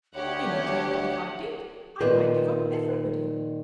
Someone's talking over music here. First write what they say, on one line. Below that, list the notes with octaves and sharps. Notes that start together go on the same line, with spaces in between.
Indeed if I did I might give up everybody.
D2 G4 C#5 F#5
A#2 D#3 B4 C5